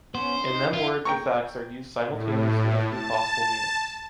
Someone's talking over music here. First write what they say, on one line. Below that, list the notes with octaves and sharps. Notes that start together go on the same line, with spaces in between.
In them words or facts are used simultaneously in two possible meanings.
B3 C#4 C5
D#4
E4 F4
G5 A#5 C#6
A2
A5